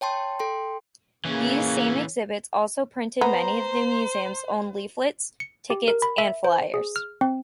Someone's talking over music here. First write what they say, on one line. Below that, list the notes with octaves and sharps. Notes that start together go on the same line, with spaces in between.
These same exhibits also printed many of the museum's own leaflets, tickets and flyers.
C#5 G5 A5 C6
A4 G5 C6
C#3 E3 A#3 C#4
B3 C5 A#5
C#7
G4
A#4
B5
E5
C5
G#4
F6
C4